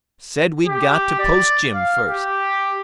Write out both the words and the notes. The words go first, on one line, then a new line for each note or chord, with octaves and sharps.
Said we'd got to post Jim first.
G4
D5
F5
G4